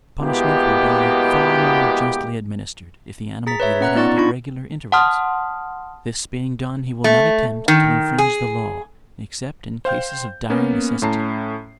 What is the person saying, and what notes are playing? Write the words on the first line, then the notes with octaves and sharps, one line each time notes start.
The punishment will be far more justly administered if the animal be let out at regular intervals; this being done he will not attempt to infringe the law, except in cases of dire necessity.
B2 G#3 A#3 B3 E4 G4
G#4 A#5 A6 B6
B4 C#5 E5
C#4 F#5 A#5 F#6
B3 D#4 F4 D5 C#6 A6
D4 D#4 F4 B5 C#6
F#5 A5 C6 D#6 F6
A3
D#3
G#4
C5 F5 G5 G6
A#3 B3 C#4
A2 C#4 A5 A#5 C7